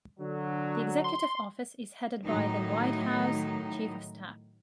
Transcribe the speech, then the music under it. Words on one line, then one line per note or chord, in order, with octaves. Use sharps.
The Executive Office is headed by the White House Chief of Staff.
D3 F#3
C6
A2 D#3 F#3 D#4